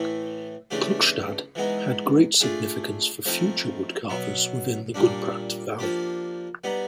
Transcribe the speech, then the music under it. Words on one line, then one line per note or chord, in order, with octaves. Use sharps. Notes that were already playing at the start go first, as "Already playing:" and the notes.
Klukstad had great significance for future wood carvers within the Gudbrand Valley.
Already playing: A2 E3 A3
C#3 E3 A3 D4 G4
E3 G#3 B3 D#4
A3 D4 F4 G#4
F3 A3 C4 D#4
B2 F#3 B3
A#2 G3 A#3 D4
F3 A#3 D4 G4
G3 B3 D#4